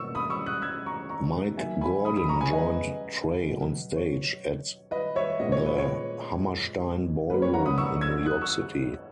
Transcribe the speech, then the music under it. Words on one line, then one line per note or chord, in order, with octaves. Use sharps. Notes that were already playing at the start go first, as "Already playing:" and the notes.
Mike Gordon joined Trey onstage at the Hammerstein Ballroom in New York City.
Already playing: B2 A#3 C#6 E6
B5 D#6
C#6 E6
D#6 F#6
E6 G#6
A#5 C#6
A#5 C#6
D#3 F#3 A#3 E5 G#5
G#5 B5
B5 D#6
B5 D#6
A#5 C#6
G#5 B5
B4 D#5
B2 F#3 B3
C#5
B4 D#5
C#5 E5
A#2 G#3 B3 D#5
C#5
B4
C#5
C#3 F#3 A#3 B4
C#5
F#5 A#5
B5 D#6
C#6 E6
E6 G#6
D#6 F#6
C#6 E6